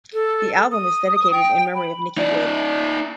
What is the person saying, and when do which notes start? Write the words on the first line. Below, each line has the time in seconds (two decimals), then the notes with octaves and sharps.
The album is dedicated in memory of Niki Wood.
0.13 A4
0.72 D#6
1.32 G5
1.75 B5
2.17 D#4 D5